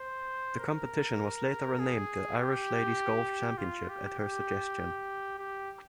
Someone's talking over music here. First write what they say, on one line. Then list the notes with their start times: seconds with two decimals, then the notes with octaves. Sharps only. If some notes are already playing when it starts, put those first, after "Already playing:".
The competition was later renamed the Irish Ladies Golf Championship at her suggestion.
Already playing: C5
0.59 A#4
1.79 G#4
2.38 G4
3.58 F4
3.89 G4
4.19 G4
5.39 G4